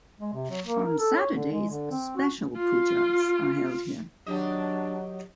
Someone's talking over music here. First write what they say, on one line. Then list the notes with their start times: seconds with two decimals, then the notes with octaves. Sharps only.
On Saturdays special pujas are held here.
0.20 G#3
0.34 C3
0.50 F#3
0.66 A#3
0.85 A#4
0.99 A4
1.17 C#5
1.35 D3
1.52 G#3
1.70 D3
1.91 C4
2.16 F#4
2.56 F4
4.26 D#3 F#3 D4 G4 D#5